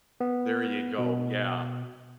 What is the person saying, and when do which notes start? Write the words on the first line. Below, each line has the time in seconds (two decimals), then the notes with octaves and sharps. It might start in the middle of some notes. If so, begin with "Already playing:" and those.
There you go, yeah,
0.20 B3
0.98 B2